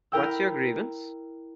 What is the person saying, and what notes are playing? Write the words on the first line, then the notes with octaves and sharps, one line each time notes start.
What’s your grievance?
E4 A#4 G5 E6